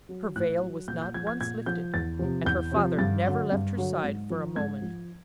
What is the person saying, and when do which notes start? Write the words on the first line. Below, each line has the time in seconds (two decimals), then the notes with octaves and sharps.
Her veil was not once lifted, and her father never left her side for a moment.
0.09 F#3
0.36 A2 F#6
0.62 F#3
0.88 A#2 G6
1.02 G6
1.14 F3 G#6
1.27 G#6
1.41 A#2 G#6
1.66 F3 G6
1.94 E2 A6
2.19 C3 F3
2.45 E2 G6
2.72 C3 F3
2.98 G2 A6
3.24 D3 F#3
3.52 G2
3.77 D3 F#3
4.04 G#2
4.30 F3
4.56 G#2 G#6
4.82 F3